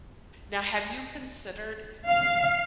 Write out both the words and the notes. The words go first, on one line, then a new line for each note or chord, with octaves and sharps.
Now, have you considered
F5